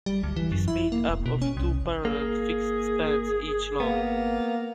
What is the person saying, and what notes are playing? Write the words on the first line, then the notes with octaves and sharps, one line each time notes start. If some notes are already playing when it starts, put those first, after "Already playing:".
It is made up of two parallel fixed spans, each long.
G3
D2
E3
F#2
E4
A#3
E1
B2
C#4
C2
A#3 G#4
A#3 B3